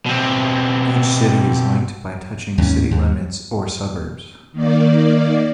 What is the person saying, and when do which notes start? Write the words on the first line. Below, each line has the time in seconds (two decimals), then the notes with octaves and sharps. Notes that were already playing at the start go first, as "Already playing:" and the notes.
Each city is linked by touching city limits or suburbs.
0.06 B2 C4
2.58 D#2 G#2 A#3 C#4
2.91 D#2
4.52 D#3 A#3 D5